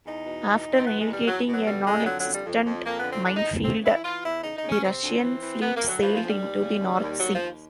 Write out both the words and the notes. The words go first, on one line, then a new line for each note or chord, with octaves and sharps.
After navigating a non-existent minefield, the Russian fleet sailed into the North Sea.
E2 D#4
B2
E2
E2
C4
B2 B3
G#3
E2
G3
E2 F#3
B2
F#3
D3 G3
F2 G#3
G3
D3 F#3
F#3
F2
G3
F2
F2
F2 A#3
B3
D3
C4
E2 D4
D#4
E2
C#3 C4
E3 E4
E4
E3 F4
E2 E4
C#3 D#4
D#4
C#3
C#4
C3 C4
D2
E3
E3
C3 B3
A#3
D2
F#3
E3 F3
F3
D2
G3
D#2
C#3
D#2
D#2
D#2 F#3
F3
D#2